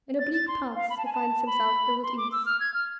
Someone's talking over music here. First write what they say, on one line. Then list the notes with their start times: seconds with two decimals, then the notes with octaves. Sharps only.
In oblique paths he finds himself ill at ease.
0.19 A6
0.33 A6
0.48 C6
0.76 F5
0.90 B5
0.98 A5
1.05 G#5
1.13 A5
1.47 B5
2.03 C6
2.17 D6
2.32 E6
2.46 F6
2.60 G#6
2.74 F6